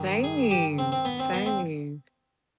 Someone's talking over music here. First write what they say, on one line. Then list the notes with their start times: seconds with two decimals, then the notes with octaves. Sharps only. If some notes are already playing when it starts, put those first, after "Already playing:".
Same, same.
Already playing: G2 D#3
0.24 G#4
0.51 G4
0.78 C4
0.92 C4
1.05 B3
1.20 C4
1.33 B3
1.46 C4